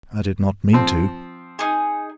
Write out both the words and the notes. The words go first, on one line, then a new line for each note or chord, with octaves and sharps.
I did not mean to.
F3 C4
D#4 G#4